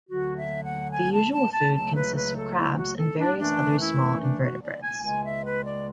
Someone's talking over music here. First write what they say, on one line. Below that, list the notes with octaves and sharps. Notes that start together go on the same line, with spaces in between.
The usual food consists of crabs and various other small invertebrates.
D2 D3 F#3 F#4
E5
F#5
G#5
A5
A5
A5
C#2 C#3 F#3 A3 A5
B4
B4
A4
E4
F#4
A4
D4
F#2 E3 A3 D4
E4
D4
F#4
D5
G#5
C#2 C#3 G#3 G#5
E5
B4
D5